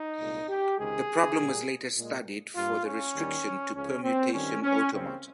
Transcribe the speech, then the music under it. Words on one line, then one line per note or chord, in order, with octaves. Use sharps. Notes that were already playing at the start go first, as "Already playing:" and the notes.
The problem was later studied for the restriction to permutation automata.
Already playing: D#4
C2 A#2 G#3
G4
C#2 C3 D#3 G#3 G#4
A#2 G3 A#3
A#2 G#3
G2 G3 A#3 F4
C#4
D#2 D#3 G3
C#2 C#3 F3 C#4
C4
G2 D#3 G3 C#4
C#4
C#2 C#3 G3 A#3 C4